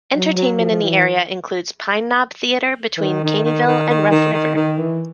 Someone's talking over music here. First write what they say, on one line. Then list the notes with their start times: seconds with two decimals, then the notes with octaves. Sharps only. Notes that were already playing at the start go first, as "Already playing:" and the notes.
Entertainment in the area includes Pine Knob Theater between Caneyville and Rough River.
0.15 F#3
0.36 F#3
0.59 F3
0.70 F3
0.81 E3
2.97 E3
3.02 D#3
3.24 D#3
3.45 D#3
3.67 D#3
3.89 D#3
4.11 D#3
4.33 D#3
4.55 D#3
4.78 E3